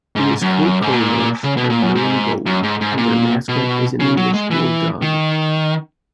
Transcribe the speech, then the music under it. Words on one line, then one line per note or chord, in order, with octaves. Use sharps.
The school colors are blue and gold, and their mascot is an English bulldog.
G#2
F#2
G#2
A#2
C#3
B2
A#2
F#2
G#2
F#2
G#2
G#2
A#2
B2
C#3
F#3
G#3
E3
D#3